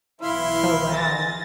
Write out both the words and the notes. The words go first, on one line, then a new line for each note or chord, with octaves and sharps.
Oh, wow.
B1 E3 E4 E5 F5 C6
G#5 A6 A#6